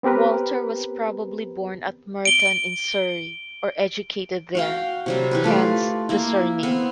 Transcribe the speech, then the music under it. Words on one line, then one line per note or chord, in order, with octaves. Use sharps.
Walter was probably born at Merton in Surrey or educated there; hence the surname.
B3 C4 G4 A#4 B4
D7 G7
F#4 F5 G5
C3 F#3 G3
E3 G4 B4
A3 F4 D5
A#3 E4
B3 C4